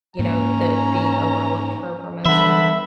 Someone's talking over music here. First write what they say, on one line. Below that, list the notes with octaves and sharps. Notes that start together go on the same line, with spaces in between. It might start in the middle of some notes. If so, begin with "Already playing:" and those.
you know, the being overlooked for a promotion?
G#2 A#3 C#4 A#5
D3 E3 G3 B3 E5 B5